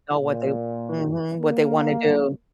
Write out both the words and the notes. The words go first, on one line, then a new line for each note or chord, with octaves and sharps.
Now what they Mhm, what they wanna do.
A#2
A#3